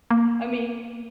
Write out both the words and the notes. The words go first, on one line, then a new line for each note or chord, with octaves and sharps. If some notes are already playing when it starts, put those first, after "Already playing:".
I mean
A#3